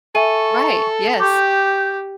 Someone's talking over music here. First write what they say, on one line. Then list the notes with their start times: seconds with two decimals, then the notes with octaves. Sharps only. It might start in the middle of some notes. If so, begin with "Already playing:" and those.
Right, yes.
0.15 A4 E5 G#5 C#6 D#7
1.20 G4 C#6 D6 G6